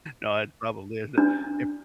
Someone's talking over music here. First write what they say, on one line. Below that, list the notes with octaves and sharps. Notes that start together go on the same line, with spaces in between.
No, it probably isn't, if
D4